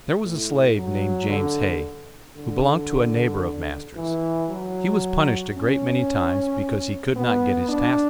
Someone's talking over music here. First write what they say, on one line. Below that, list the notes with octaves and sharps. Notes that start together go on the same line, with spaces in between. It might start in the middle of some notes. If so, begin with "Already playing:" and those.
There was a slave named James Hay, who belonged to a neighbor of master's; he was punished a great many times because he could not get his task done.
A2
F#3
D3
D3
E3
F#3
C#4
B3
D4